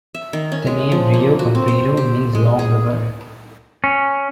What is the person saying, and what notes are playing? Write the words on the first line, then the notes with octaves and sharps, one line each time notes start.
The name "Rio Comprido" means Long River.
E5
D#3
C#4
G#3
F3
A#3
F#4
C4
C5
G4
G#3
G#4
C#4